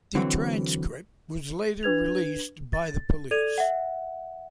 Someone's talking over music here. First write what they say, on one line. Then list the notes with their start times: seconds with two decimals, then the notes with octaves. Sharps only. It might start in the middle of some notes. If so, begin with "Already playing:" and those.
The transcript was later released by the police.
0.15 D3 E3 F#3 C4
1.83 D4 B4 G#6 F7
2.73 A6
3.31 A4 D5 G#6 D#7 F7
3.58 E5 F#5